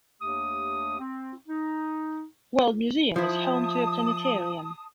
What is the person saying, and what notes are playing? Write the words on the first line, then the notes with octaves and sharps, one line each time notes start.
World Museum is home to a planetarium.
D#2 A3 D4 G4 D#6
C4
D#4
F3 E4 A5 D#6